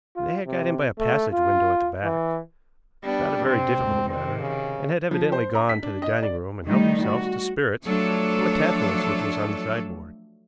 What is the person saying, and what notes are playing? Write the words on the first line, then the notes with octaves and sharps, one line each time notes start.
They had got in by a passage window at the back--not a very difficult matter--and had evidently gone to the dining room and helped themselves to spirits from a tantalus which was on the sideboard.
F4
C3
A3
F4
E3
G3 B3 D4
C3 C4
D2 G#2
C3 D#3 C4
C#3
F3
C5
A#5
B6
D4
D#5
D5
D#3 G3 A3 D#4
F#4
F3 F#3 A3 D4 A4 C#5